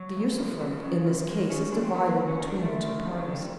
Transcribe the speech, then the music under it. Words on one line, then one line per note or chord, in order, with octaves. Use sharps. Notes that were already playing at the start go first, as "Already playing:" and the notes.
The usufruct in this case is divided between the two parties.
Already playing: F#3
D#2
C#3 F3
F3
C#3 F#3
F3
C#3 F3
F#2 F3
D#3 G#3
D#3 C#4
D#2 D4
C4
D#3 B3
A#3
D#3 B3
C#4
D#3 D#4
D4
D#3 A3
D#3
F2 G3
F#3
D#3 G3
G3